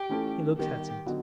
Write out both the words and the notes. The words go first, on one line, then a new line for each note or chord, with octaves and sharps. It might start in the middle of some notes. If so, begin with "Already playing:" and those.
He looked at it.
Already playing: G4
E3 A3 C#4 F4 A4
D#3 G3 B3 G4
D3 F#3 B3 D#4 F#4